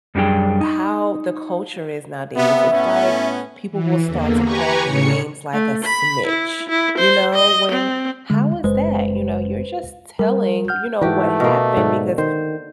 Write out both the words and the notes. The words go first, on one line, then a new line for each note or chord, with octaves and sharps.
how the culture is nowadays. It's like people will start to call you names like a snitch, you know? When how is that? You know, you're just telling, you know, what happened because
F#2 G3 D4 F#4 G#4 G5
D#4
C3 B3 E5
A2 B3 C#4
E3
E2 D3 A#3
G4 B4 G#5 A#5 C#6
A2 C#3 C#5 C#7
A3
B5
E4
E4
C5
D#5
C4
D3 G#3
F#1 G#3 B4 C5
G3 A#4
F#5 F6 G6
G#2 E3 A3 F#4 G4
B2 A#3
G#2 D3
D#3 C5